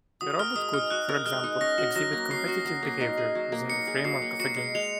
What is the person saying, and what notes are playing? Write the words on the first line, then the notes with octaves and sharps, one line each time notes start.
The robot could, for example, exhibit competitive behavior within the framework of a game.
F#4 D#6
A#4 F6
G#3 D#6
D#4 F6
F#4 F#6
A#4
G#3 F6
D#4
C#4 A#6
F#4
F#3 A#6
A#3
C#4 C7
F#4
F#3
A#3
D#4
G#4
F#3
A#3
D#4 C#7
G#4
F#3 C7
A#3
F#4 C#7
G#3
G#3 F7